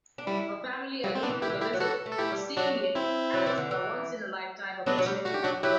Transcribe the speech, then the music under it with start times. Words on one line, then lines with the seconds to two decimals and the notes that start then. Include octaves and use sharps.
Her family agreed to the visit, seeing it as a once-in-a-lifetime opportunity.
0.18 D4
0.27 G3 E4
1.04 F#3 G3
1.15 C4
1.23 B3 D4
1.29 E3
1.42 E4 G4
1.49 E3
1.54 D3
1.61 E4 G4
1.73 F#3
1.80 E3 F#4 A4
2.06 A3
2.12 A4
2.18 A3 E4 G4
2.32 G3
2.57 F#3 D4 F#4
2.95 C4 E4
3.34 F#3
3.46 E3
3.58 D3
3.71 E3
4.86 F#3 B3 D4
4.99 F#3
5.06 G3
5.25 A3 F#4
5.34 G4
5.43 F#3 D4 F#4
5.63 F#3 E4 G4